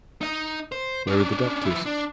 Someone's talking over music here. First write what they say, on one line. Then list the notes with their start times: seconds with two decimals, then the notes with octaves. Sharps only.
Where were the doctors?
0.21 D#4 D#5
0.72 C5
1.07 C#4 D4
1.65 F3 E4
1.86 D4